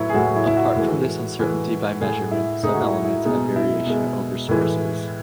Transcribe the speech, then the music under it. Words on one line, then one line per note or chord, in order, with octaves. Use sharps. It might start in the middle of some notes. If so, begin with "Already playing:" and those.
Apart from this uncertainty by measurement, some elements have variation over sources.
Already playing: A2 F#3 E4 B4 C#5
G#4
A2 F#3 F#4
E4
E4
F#4
A2 E3 G#3
A2 E3 G#3
A2 G#3 G#4
E4
A2 G#3 D#4
F#4
E4
E4
B2 G#3 D#4
E4
B2 G#3
A2 E3 G#3